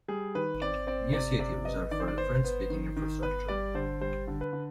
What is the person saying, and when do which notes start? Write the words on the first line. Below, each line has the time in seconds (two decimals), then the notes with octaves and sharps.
New city reserved for the French speaking infrastructure.
0.08 G3 G#4
0.35 D#3 B4
0.62 C4 D5
0.87 C4 D5
1.13 C3 D5
1.39 C3 D5
1.65 B3 D#5
1.91 D#3 D5
2.00 C5
2.08 D5
2.18 B3 C5
2.44 B3
2.70 D#3
2.97 D#3
3.22 B3 B4
3.48 G3 D5
3.74 D3 C5
4.01 G3 C5
4.27 D3
4.41 B4
4.53 D3